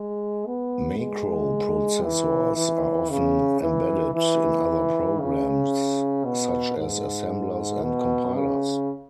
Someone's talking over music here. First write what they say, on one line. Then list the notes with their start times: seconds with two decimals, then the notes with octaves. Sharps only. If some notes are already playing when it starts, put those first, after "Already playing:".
Macro processors are often embedded in other programs, such as assemblers and compilers.
Already playing: G#3
0.46 B3
0.98 G#3
2.04 E3
2.56 E3
3.10 C#3
3.61 E3
4.15 E3
5.20 C#3
6.25 B2
6.78 G#2
7.82 B2
8.35 C#3